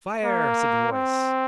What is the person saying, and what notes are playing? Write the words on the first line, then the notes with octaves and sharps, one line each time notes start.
"Fire!" said the voice.
A#3
C4